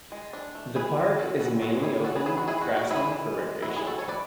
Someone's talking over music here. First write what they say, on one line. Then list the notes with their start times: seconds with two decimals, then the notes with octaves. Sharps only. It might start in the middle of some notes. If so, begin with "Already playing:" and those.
The park is mainly open grassland for recreation.
0.12 G#3
0.33 D4
0.55 A3
0.76 E3 G#4 B4
0.98 E3
1.19 C#4 F#4 A4
1.40 C#4 F#4 A4
1.62 E3 F#4 A4
1.83 E3 E4 G#4
2.04 D4 F#4 A4
2.16 G#4 B4
2.26 B3 E4 G#4
2.38 F#4
2.48 G#3 E4 G#4
2.61 F#4
2.69 G#3
2.77 F#4
2.90 E3 E4 G#4
3.12 E3
3.34 G#3
3.55 G#3
3.62 E4
3.68 F#4
3.76 G#3 E4 G#4
3.87 F#4 A4
3.98 G#3 A4 C#5
4.08 B4 D5